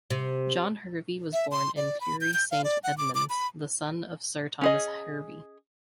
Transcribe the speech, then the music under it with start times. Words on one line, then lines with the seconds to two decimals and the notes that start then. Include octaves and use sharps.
John Hervey was born in Bury Saint Edmunds, the son of Sir Thomas Hervey.
0.10 C3
1.33 E5
1.51 C6
1.76 D5
2.01 B5
2.21 G6
2.34 G6
2.51 F5
2.64 D5
2.84 F#5
2.98 D6
3.15 D6
3.30 B5
4.61 C#4 G#4 D#5